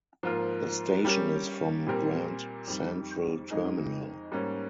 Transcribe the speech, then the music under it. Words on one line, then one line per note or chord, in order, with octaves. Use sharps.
The station is from Grand Central Terminal.
G#2 F3 A#3 F4 A#4
G3 C#4 G4 A#4
A#2 G3 C4 G4 A#4
F2 D#3 G3
F2 D#3 G#3 D#4 G#4
G#2 G3 A#3 C#4